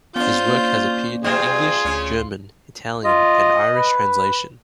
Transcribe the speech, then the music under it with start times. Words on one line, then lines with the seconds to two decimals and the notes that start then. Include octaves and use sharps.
His work has appeared in English, German, Italian and Irish translation.
0.16 B3 C#4 D4 F4 C5 G6
0.48 A#3
1.24 B2 G3 C4 F4 G#4
1.85 D2 C#3 C#4
3.05 F4 D#5
3.75 B4